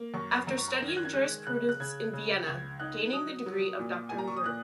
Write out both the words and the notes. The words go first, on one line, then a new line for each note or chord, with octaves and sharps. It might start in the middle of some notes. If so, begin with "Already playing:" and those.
After studying jurisprudence in Vienna, gaining the degree of Doctor jur.
Already playing: A#3
F#2 C#6
F#2 A#5
C#6
A#5
D#3 A#6
G#6
F#6
G#6
G#3 F#6
C#3 F#6
F#6
C#3 G#6
C#3
C#2 G#6
D#4 F#6
F#3 D#6
F#3
A#2
A#2 G#5
A#5
C#6
D#6
A#2 F#6